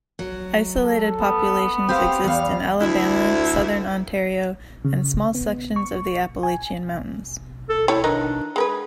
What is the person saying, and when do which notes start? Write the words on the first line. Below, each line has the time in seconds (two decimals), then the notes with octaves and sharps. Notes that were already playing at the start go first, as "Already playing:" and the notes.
Isolated populations exist in Alabama, Southern Ontario, and small sections of the Appalachian Mountains.
0.19 F#3
0.83 A4
1.20 B3
1.89 C4 G4 C5 F5
2.24 E2 G3 F5
2.81 D2 E4
4.85 C#3
5.35 B3
5.76 C#6
6.43 G#5
7.69 A4
7.88 A3 E4 G4 C#5
8.04 D#3 E3 D4 D#4
8.56 G#3 G#4 A#4 B4